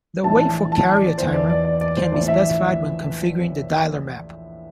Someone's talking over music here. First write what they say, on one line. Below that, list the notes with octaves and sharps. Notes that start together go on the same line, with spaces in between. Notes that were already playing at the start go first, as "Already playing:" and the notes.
The wait-for-carrier timer can be specified when configuring the dialer map.
A#1 A2 E3 A5
A5
D5
E2 E3 C5
D5
D5
D5
D5
C5
A#1 A2 E3 D5
E5